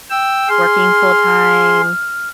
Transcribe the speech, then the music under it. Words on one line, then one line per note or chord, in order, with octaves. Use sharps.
working full time
G5 E6
G#4 C6 F6